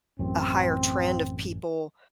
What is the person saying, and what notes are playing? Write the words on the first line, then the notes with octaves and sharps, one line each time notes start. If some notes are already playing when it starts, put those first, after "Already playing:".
a higher trend of people
A1 F#2 C4